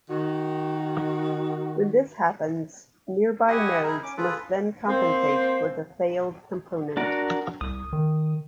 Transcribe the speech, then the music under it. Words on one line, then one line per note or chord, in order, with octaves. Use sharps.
When this happens, nearby nodes must then compensate for the failed component.
D#3 F#4
E4 G4 D#5 F#5 G#5 C#6
D#4 E4 G#4 A#4
C#4 D6
F4 G#4 A4 B4
A#3 C4 C5
D4 F#4 A#4
C2 D#6
D#3